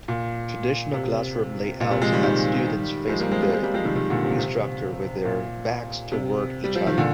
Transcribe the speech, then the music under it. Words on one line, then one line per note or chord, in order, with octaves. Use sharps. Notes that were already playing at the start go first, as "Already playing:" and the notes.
Traditional classroom layouts had students facing the instructor with their backs toward each other.
A#2
C3
A#2
C3
F3 G#3
D#3 G3
D#3 G3
F3 G#3
G3 A#3
G#3 C4
G3 A#3
G#3 C4
G3 A#3
F3 G#3
D#3 G3
D#3 G3
A#2 D3
C3
C3
A#2
C3
G3
F3
D#3
A#2 D3